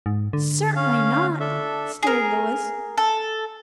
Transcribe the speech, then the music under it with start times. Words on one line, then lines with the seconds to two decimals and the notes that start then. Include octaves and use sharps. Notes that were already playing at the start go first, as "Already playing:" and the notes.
"Certainly not," sneered Louis.
0.06 G#2
0.33 D3
0.76 C#4 F5
1.40 D4 A4 E5
2.03 G#4 A#4
2.98 A4